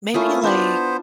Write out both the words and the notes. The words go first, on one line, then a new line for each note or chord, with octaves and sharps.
Maybe, like
A3 A#3 C#4 E4 F4 D#6
B3 D4 C5 A5